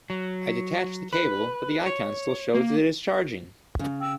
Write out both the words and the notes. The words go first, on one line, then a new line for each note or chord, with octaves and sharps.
I detached the cable, but the icon still shows it is charging?
F#3
B4
C#5
A#3
C#3
G5 E6